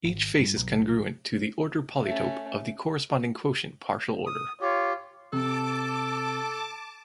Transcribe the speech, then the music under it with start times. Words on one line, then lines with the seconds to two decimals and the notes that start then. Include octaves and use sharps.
Each face is congruent to the order polytope of the corresponding quotient partial order.
0.05 G#1
0.40 G2
0.57 B1
2.03 A3 C#4
4.26 D#6
4.61 F4 G4 C#5
5.33 C3 A4 A5 D6